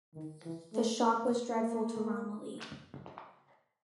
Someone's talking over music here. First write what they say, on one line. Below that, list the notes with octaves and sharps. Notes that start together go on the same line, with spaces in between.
The shock was dreadful to Romilly.
D#3
E3
A3
A#3
A#3